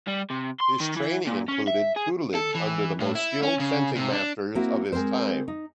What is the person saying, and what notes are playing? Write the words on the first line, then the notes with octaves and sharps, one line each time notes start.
His training included tutelage under the most skilled fencing masters of his time.
G3
C3
C6
D#3
E3
A#2
C#4
E5
G#4
A4
E3
A2
E4
C#4
C#3
C3
D4
A#3 C4 E4 F#4
G#3 C4 A#4 C5
D#4